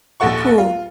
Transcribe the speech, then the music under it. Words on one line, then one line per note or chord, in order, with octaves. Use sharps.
the pool,
A#1 D#2 A4 F#5 C#6
F4